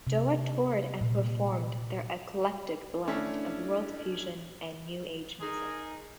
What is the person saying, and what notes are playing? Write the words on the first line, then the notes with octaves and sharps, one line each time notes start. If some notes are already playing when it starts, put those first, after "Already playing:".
Do’a toured and performed their eclectic blend of World Fusion and New Age music.
C3
A#2
A3 C#4 D4 E4
D#4 G#4 A#4